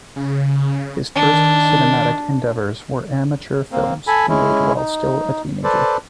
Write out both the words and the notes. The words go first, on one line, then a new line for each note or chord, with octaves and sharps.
His first cinematic endeavors were amateur films he made while still a teenager.
C#3
D#3 D4
A#3 C4
A4 G#5 B5
G#3 C#4 E4
D#4
A4 B4 C5 D5